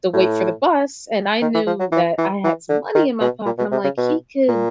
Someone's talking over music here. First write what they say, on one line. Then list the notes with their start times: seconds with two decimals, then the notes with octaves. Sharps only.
the wait for the bus and I knew that I had some money in my pocket, I'm like, "He could
0.13 A2
1.42 D#3
1.54 E3
1.67 F3
1.80 F#3
1.92 E3
2.18 E3
2.44 E3
2.69 D3
2.95 D#3
3.21 B2
3.46 A#2
3.58 B2
3.72 C3
3.84 C#3
3.98 B2
4.48 A#2